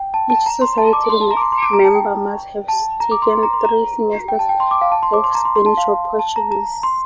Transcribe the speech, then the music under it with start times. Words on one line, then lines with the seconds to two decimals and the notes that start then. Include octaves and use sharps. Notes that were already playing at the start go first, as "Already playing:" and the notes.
Each society member must have taken three semesters of Spanish or Portuguese.
Already playing: G5
0.14 A5
0.30 A5
0.46 A#5
0.61 C6
0.78 A5
0.93 D6
1.10 C6
1.21 A5
1.31 A#5
1.37 D6
1.41 C6
1.52 C6
1.63 D6
1.73 A#5
1.84 A5
1.95 G5
2.68 A5
3.00 A#5
3.11 D6
3.22 C6
3.33 C6
3.43 A#5
3.53 C6
3.65 A#5
4.28 G5
4.39 A5
4.49 G5
4.60 C6
4.71 D6
4.81 F5
4.92 A5
5.03 C6
5.13 D6
5.24 C6
5.35 A#5
5.45 C6
5.56 C6
5.66 A5
5.77 F5
6.19 A5
6.36 A#5
6.51 A#5
6.83 C6